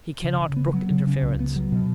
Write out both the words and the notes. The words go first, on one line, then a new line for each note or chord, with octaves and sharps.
He cannot brook interference.
C#3
C#3
B3
F#3
C#3
C#3
C#2
B3
F#3
B2